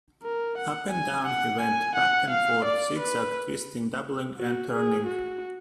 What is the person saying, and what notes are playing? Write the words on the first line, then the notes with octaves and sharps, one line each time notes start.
Up and down he went, back and forth — zig-zagging, twisting, doubling and turning.
A#4
F#5
G#5
F#5
G#5
F#5
F5
D5
B4
F#4
G#4
F#4